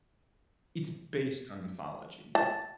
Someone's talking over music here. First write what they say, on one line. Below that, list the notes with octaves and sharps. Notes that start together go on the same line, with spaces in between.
It's based on mythology, it's
A5